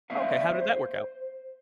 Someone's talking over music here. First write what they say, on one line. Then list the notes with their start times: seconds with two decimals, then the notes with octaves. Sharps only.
Okay, how did that work out?
0.10 A#3 B3 D5 E5 F5
0.53 C5